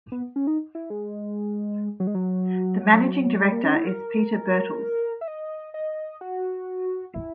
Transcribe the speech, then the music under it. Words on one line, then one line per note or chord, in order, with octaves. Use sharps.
The managing director is Peter Birtles.
B3
C#4
D#4
E4
G#3
F#3
G#3
F#3
F#3
G#3
A#3
C#4
E4
A#4
E5
D#5
D#5
F#4
E4